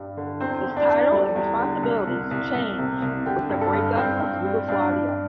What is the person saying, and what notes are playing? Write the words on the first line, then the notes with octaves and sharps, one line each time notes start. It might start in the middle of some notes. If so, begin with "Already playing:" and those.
His title and responsibilities changed with the breakup of Yugoslavia.
Already playing: G2 G3
D3
E2 C4 C5
E2
D4 D5
E2
G3 A4
E2
D3
C2
C2
C2
C2
C3
C2
D3 G4
G2
A4
G2
G2 C4 C5
G2
G3
G2 D4 D5
G2